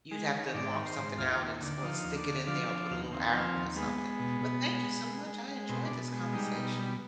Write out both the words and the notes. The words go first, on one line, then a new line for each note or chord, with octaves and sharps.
you'd have to mark something out and s or stick it in there or put a little arrow or something, but thank you so much I enjoyed this conversation.
G#3
D#3
G#2 D5
D#3
C5
G#2
D#2 F4
D#2
D3
D4
F3 D#4
D#2
D4
D3
F3 D4
F3
D#2
D#2 C4
B3
F3 C4
D#2
G#3 B3
G#3
B2
B2
G#3
G#3
G#3
G#3
G#3
B2 C4
D4
B2
G#3
G3 D#4
B2
G3